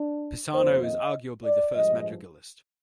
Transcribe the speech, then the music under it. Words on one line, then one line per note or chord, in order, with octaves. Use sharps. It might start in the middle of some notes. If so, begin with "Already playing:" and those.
Pisano is arguably the first madrigalist.
Already playing: D4
F2 D#3 A#3 C5
D#5
D5
G2 F3 G#3 D#5